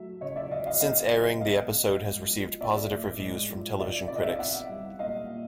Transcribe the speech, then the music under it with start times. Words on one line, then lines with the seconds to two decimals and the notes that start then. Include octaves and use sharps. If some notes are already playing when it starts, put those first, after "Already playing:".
Since airing, the episode has received positive reviews from television critics.
Already playing: F#3 A3 E5
0.21 C#3 C#5 D#5
0.36 D5 E5
0.51 C#3 D#5 F5
0.66 D#5 F5
0.81 B3 D#5 F5
1.11 F#3
1.41 B2 D#5 F5
1.71 B2
2.01 G#3
2.30 F3
2.60 B3 D5 E5
2.90 A2
3.19 G#3
3.50 F3
3.79 C3 D5 E5
4.08 C3 D5
4.16 D#5
4.24 E5
4.32 F5
4.39 B3 E5 F#5
4.69 G3
4.99 A#2 D#5 F5
5.30 A#2